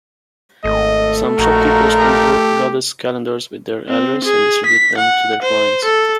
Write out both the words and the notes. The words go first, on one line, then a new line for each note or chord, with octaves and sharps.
Some shopkeepers print goddess calendars with their address, and distribute them to their clients.
G#1 A3 D#5
A#1 D#4 F4 F#4 A#4
G4
C4
G#4
B6
F#5
C5
A4